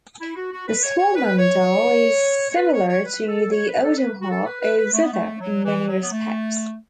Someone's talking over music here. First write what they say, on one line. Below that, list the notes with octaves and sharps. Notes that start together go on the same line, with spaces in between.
The swarmandal is similar to the autoharp or zither in many respects.
E4
F#4
F#4
B4
C#5
C#5
B4
C#5
C#5
B4
C#5
C#5
B4
A4
C#5
B4
A4
B4
F#4
A4
B4
B4
B4
A3
B3
A3
F#3
E3
F#3
B3
A3